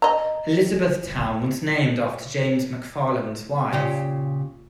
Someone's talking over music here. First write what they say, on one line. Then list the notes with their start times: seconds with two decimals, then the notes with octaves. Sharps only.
Elizabethtown was named after James McFarland's wife.
0.02 D#5 A#5
3.73 A#2 C#3 G4